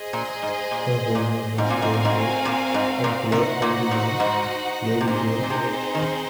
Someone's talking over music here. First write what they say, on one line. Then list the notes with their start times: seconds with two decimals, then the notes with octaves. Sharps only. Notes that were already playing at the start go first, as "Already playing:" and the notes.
Her full name was Jane Gay, a play on the name Lady Jane Grey.
Already playing: G#4 C5 D#5
0.13 A#2
0.42 G#2
0.71 A#2
1.15 A#2
1.58 G#2 C4 F#4 A#4 F5 G#5
1.70 A#2
1.82 G#2
1.94 A#2
2.05 G#2
2.45 A#2
2.74 G#2
3.04 A#2
3.32 C3 D#4 F#4 C5 F#5
3.62 A#2
3.91 A#2
4.20 G#2
5.01 C3
5.07 A#2 C4 D#4 G#4 C5
5.43 A#2
5.50 C3
5.95 D#3